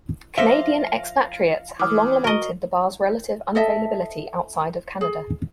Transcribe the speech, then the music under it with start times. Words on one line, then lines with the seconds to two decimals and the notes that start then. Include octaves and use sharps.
Canadian expatriates have long lamented the bar's relative unavailability outside of Canada.
0.38 F3 D5 E5 F5 A#6 G7
1.79 E3 D6 D#6 F6
2.24 F#4 A#4 D#5 C#6 G7
3.55 A4 D#5 E5 A5
5.01 G#4